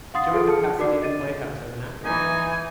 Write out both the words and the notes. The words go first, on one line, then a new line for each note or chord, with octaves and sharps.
He joined the Pasadena Playhouse as an actor.
F5 F#5 C6 D#6 A6 C7
F4 G#4 A4
A4 A5 F6 C#7
D#4 F#4 A#4 D5 D6 C7
D#5 A6 D#7
E3 D#4 G#5